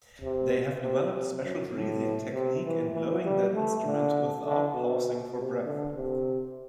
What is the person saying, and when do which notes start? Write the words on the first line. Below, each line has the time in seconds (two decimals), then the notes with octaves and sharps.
They have developed special breathing technique in blowing that instrument without pausing for breath.
0.21 C3
0.82 C3
1.13 C3
1.43 F#2
1.73 A2
2.33 C3
2.64 E3
2.93 E3
3.24 G3
3.54 A3
3.85 D3
4.45 D3
4.74 B2
5.35 C3
5.66 D3
5.96 C3